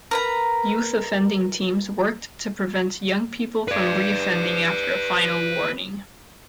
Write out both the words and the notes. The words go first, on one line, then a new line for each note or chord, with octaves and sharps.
Youth Offending Teams worked to prevent young people from reoffending after a Final Warning.
A#4 B4 A#5
B4 D5